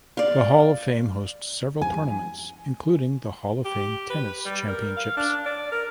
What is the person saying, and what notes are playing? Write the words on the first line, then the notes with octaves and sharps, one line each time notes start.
The Hall of Fame hosts several tournaments, including the Hall of Fame Tennis Championships.
D5 F5
G#5
G4
B4
G3
A#4
F5
D4
D5
A#4